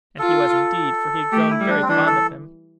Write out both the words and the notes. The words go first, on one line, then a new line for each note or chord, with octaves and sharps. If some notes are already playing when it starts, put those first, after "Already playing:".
And he was indeed, for he had grown very fond of him.
F4 A4
A3 G4
E4
G3
D4
C4
E3 D4
A4